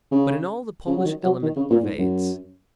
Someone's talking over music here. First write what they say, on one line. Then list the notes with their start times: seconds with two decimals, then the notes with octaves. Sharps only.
But in all the Polish element pervades.
0.11 C#3
0.87 C#3
0.97 F#3
1.05 D#3
1.23 F#3
1.42 D#3
1.56 C#3
1.70 A#2
1.83 G#2
1.98 F#2